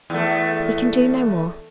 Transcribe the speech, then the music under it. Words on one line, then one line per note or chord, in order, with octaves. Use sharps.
"We can do no more."
E2 A3